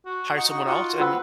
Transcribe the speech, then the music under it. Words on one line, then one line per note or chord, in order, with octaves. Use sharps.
hire someone else, and
F#4
D#4 F#4 F#5 C#6
F4 F#4 F#5
C4 F4 B4 F#5 E6